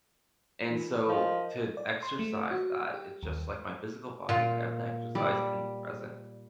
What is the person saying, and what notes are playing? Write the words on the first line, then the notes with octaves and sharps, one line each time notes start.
And so to exercise that, it's just like my physical body, I have to exercise being present
E3 D#4 F4
F3 A#4 D#5
D5
C6
A3
F#4
G4
D#2
A#2 F4
G3 D5